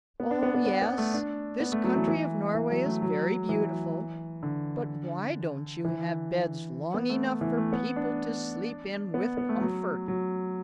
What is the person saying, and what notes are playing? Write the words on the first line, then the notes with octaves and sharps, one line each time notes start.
"O yes, this country of Norway is very beautiful, but why don't you have beds long enough for people to sleep in with comfort."
B3
D4
B3
B3
B3
B3
A3
D4
B3
A3
F#3
E3
E3
E3
F#3
A3
F#3
E3
D3
E3
B3
A3
E3
A3
B3
D4
B3
B3
A3
F#3
F#3